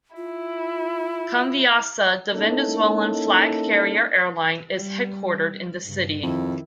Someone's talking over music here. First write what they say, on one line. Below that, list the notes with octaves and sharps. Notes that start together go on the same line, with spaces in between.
Conviasa, the Venezuelan flag carrier airline, is headquartered in the city.
E4 F4
A#3 C#4 D#4 E4 A4
G3
G2 C#3
F2 D#3 E4